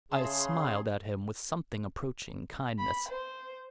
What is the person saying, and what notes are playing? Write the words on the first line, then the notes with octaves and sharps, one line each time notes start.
I smiled at him with something approaching kindness.
C#3 G#4 E5 A5 C6 E6
B5
C5